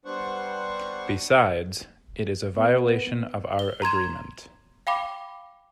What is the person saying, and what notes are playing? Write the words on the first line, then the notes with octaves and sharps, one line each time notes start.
Besides, it is a violation of our agreement.
G3 B3 D4 C5 F#5 C#6
B3
G7
A#5 C6 G#6 E7
F5 G5 B5 D6